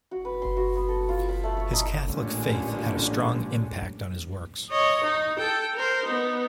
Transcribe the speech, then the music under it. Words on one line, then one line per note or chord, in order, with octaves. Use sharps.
His Catholic faith had a strong impact on his works.
F#4
B4
C6
F#4
B3
A4
F4
B5
A3
C#5
D#4
A1 A#2 D3 G3 G#3 C#4
C#5 D#5
D#4
A4 G5
A#4 C5
B3 D#4